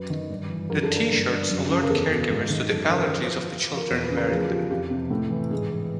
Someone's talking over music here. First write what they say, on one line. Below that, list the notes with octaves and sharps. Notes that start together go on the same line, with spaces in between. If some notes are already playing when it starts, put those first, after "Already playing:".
The T-shirts alert caregivers to the allergies of the children wearing them.
Already playing: F#2 B4
D#3
G2
E3
F#2 A#4
A4
D3
A#4
G2
D3
F#2
C#3
A#4
E2 A4
B2
G#2
D#3
F#2 A4
C#3 A#4
C5
F3 B4
C5
F3
B4
F3
F3
A#4
E2 C5
B4
C#3
A#4
F3 G#4
F3 G4
F2 G4
C3
A2
E3
G#2 G#4
E3